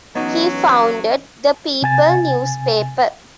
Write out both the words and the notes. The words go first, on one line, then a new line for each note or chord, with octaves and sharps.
He founded "The People" newspaper.
E3 F#3 B3 C#4 D#4 D#5 F#5 C#6
C3 G#5 A6